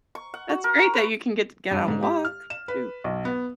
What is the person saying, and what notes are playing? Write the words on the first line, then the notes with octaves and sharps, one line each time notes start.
That's great that you can get get out and walk. Shoot.
C#6
F#5
F#4
A#4
A#5
B4
G2
G#2
G4
F6
E7
B4
B1
B3